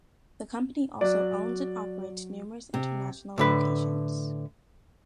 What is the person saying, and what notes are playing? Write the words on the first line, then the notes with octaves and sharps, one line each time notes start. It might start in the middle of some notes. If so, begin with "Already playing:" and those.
The company also owns and operates numerous international locations.
F#3 F#4 D5
C3
A2 D3 B4